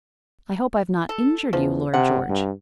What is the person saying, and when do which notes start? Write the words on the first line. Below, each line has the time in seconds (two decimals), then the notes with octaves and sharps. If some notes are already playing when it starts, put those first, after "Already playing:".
"I hope I have not injured you, Lord George."
1.09 A4
1.53 E2 F3
1.94 C3 F#5
2.29 G2